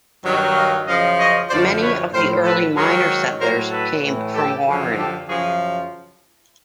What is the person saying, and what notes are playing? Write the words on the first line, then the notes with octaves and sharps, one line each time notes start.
Many of the early miner-settlers came from Warren.
G2 D#3 F#3
D#5 F5
F#2 C#3 F3 D#5 F5
C#5 D#5
F#2 D3 F3 C5 D5
B4 C#5
A2 F3 A#4 C5
A4 B4
G#2 D#3 F#3 G#4 A#4
A2 F#3 A#4 C5
A4 B4
A2 E3
G4 A4
F#2 D3 F3
G4 A4
F#2 C#3 F3 F#4 G#4